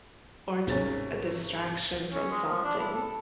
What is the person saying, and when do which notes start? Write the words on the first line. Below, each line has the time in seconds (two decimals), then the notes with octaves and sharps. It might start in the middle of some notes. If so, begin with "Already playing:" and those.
or just a distraction from something
0.67 G#1 C3 C#4 A6
2.12 C#4
2.31 G#3
2.46 F3
2.64 D4
2.79 E4
2.93 A4